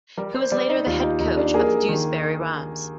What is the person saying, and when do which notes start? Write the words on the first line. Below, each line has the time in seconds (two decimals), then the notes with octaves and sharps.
He was later the head coach of the Dewsbury Rams.
0.17 G3 A#4
0.34 C5
0.52 G3 D5
0.69 D#4
0.86 D#2 F4
1.03 D#4
1.20 D#2 D#4
1.37 D4
1.54 A#3 G#4
1.89 D#3